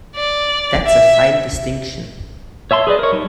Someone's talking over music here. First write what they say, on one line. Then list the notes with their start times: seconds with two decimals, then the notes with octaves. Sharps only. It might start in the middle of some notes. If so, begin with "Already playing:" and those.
That's a fine distinction!
0.15 D5
0.86 E5
2.71 C#5 E5 A5 C6
2.87 G#4 B4 C5 D5 D#5
2.99 A#4 C#5
3.12 G3 D#4